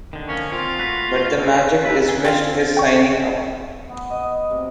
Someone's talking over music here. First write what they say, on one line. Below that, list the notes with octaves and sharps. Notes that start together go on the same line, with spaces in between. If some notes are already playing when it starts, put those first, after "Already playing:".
But the Magic dismissed his signing up.
D3 D#3
F3 A#3 C#4
C4 F4
A3 F#4 B4
C#3 C4
D#2 B4
G#4
C4 F4 F5
G5 C#6
B3
D#5
C3